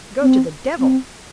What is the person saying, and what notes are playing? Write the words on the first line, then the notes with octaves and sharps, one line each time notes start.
Go to the devil!
C4
C4